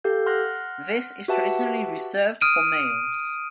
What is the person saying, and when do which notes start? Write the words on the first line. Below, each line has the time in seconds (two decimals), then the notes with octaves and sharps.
This is traditionally reserved for males.
0.04 G4 A4 F5 G6
0.26 F#5 C6 F6 F#6 A#6
1.28 F#4 G4 B4 E5 F#5 A5
2.41 D#6 F6 D7 D#7